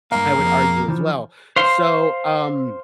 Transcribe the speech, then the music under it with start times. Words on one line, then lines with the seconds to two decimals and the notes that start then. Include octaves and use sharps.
I would argue as well. So, um,
0.12 G2 A#3 F5
0.36 F2 G#4
0.88 E3 F3
1.56 C5 F5 C6